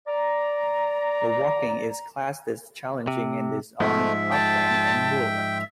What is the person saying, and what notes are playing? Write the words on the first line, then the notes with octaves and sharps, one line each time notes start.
The walking is classed as challenging and is on upland and moorland.
D5 A#5
C3
G#2 F3 G#3 A3 E5
G5 A5